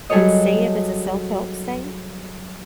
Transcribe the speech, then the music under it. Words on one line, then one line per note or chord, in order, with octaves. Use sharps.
and see if it's a self-help state
F#3 G3 G#4 A4 C#5 D#5